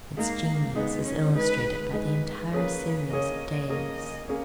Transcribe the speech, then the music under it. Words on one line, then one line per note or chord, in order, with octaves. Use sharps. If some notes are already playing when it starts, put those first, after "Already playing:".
Its genius is illustrated by the entire series of days.
G#3 A#3 D#4 G#4
G#3 B3 D#4 G#4
C#4
G#3 D#4 G#4 B4
G#3 D#4 G#4 B4
A#3 C#4 G#4 B4 C#5
A#3 C#4 G#4 C#5 D#5
A#3 C#4 G#4 C#5 D#5
A#3 C#4 G#4 C#5